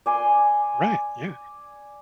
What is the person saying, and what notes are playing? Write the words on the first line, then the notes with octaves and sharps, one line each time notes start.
right? Yeah,
D5 G#5 C6